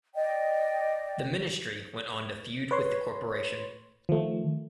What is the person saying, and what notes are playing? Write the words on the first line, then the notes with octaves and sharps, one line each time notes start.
The Ministry went on to feud with the Corporation.
D5 D#5 G5
B4 C#5 C6
D#3 F3 A3